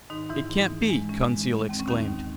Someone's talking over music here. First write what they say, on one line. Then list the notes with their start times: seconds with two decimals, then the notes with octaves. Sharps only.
"It can't be!" Conseil exclaimed.
0.10 G#2 D#3 D#4
0.30 G#2 E3 E4
0.50 G#2
0.70 E3
0.89 G#3
1.09 E3 C#4
1.29 G#3
1.49 D#3
1.69 D#2 C4
1.79 C#4
1.89 D#2 D#3 D#4
2.08 D#2